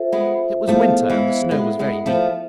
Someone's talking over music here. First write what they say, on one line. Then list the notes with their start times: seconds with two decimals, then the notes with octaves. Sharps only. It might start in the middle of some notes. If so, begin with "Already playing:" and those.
It was winter and the snow was very deep.
Already playing: F4 A4 C5 E5
0.12 G#3 B3
0.67 F3 A3 B3 E4 G#4 C5 F5
1.10 E3 G#3
1.51 G#3 B3 E4 A4 E5
1.79 G#3 B3
2.06 F3 A3